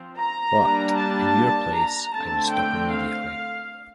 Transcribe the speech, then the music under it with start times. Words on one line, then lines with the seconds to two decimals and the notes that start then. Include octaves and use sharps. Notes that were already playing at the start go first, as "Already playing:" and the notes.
But, in your place, I would stop immediately!
Already playing: F3 C4
0.18 A#5
0.57 G3 A#3 D4
0.97 A5
1.75 A#5
2.14 D3 A3 C4 A5
2.53 G5
2.93 F5